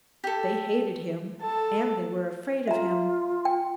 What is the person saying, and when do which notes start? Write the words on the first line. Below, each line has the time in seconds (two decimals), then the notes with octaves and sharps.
They hated him, and they were afraid of him.
0.24 G4 A4
1.42 A4 A5
2.68 F4 E5 A#5
3.45 G5